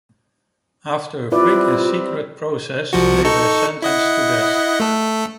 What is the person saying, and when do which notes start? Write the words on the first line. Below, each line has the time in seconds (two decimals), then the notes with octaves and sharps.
After a quick and secret process, they were sentenced to death.
1.32 G3 C4 E4 F4 B4 D5
2.93 C2 F3 F#4
3.25 D#4 A4 C#6
3.82 E4 D#5 F#5
4.80 A3 A4